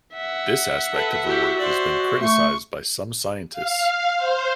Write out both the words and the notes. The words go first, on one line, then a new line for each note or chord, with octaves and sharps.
This aspect of her work has been criticized by some scientists.
E5 F#5
A4 B4
E4 F#4 G4
C5 D5
A3 C#6
F5
C5